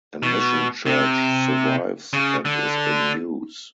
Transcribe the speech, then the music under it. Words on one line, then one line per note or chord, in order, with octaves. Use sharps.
A mission church survives and is in use.
B2
C3
C#3
D3